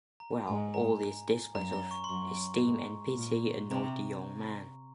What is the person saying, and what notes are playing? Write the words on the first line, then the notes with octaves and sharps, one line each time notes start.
Well, all these displays of esteem and pity annoyed the young man.
A#5
G#2 G#3 G#5
A#5
F#2 F#3 A#5
A#5
C#6
C6
F#2 F#3 C#6
G#2 G#3
A#2 A#3
C3 C4 A#5